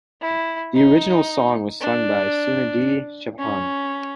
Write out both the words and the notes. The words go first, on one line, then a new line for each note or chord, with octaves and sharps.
The original song was sung by Sunidhi Chauhan.
E4
D#4
D4
C#4